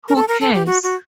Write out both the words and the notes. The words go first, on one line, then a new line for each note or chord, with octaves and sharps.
Who cares!
A#4
A4
A#4
A4
G4
F#4
F#4